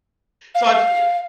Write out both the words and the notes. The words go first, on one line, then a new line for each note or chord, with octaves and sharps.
So I've yeah.
F5